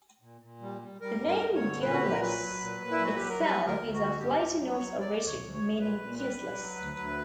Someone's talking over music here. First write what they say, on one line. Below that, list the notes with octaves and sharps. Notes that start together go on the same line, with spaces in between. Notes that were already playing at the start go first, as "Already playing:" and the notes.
The name Gaunless itself is of later Norse origin, meaning useless.
A#2
A#2
G3
G3
G3 A#4
G2
A#4
G2
C#5
D3
A#2 B4
F#4
A#2 G4
A#4
F#3 B4
F#3
A#2
A#2
E4
F#3 F#4
F#3 G4
A#4
G3 B4
D2
A#4
D2
F#4
D3
G2 G4
G2
F#3
C#5
F#3
F#3 D5
D2
C#5
D2
C#5
C#3
A#2 B4
A#2
G3 B4
G3
F#3
D2
D2